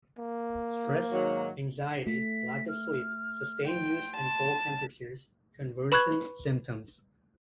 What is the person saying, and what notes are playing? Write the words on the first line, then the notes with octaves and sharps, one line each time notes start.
Stress, anxiety, lack of sleep, sustained use and cold temperatures can worsen symptoms.
A#3
G#2 D#3 F#3
A3 B6
F6
G5 C6
A5
B4 B5 C#6 F#6 G#6 F#7